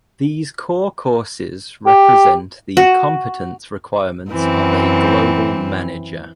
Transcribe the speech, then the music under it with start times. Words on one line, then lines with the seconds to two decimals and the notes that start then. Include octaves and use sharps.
These core courses represent the competence requirements of a global manager.
1.87 G4
2.77 F#4
4.31 F#2 E3 C4